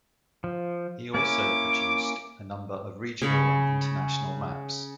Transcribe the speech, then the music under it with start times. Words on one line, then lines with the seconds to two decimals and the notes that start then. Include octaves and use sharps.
He also produced a number of regional and international maps.
0.44 F3
1.14 A#3 C#4 E4 D6
3.22 C#3 C#5 B5 C#6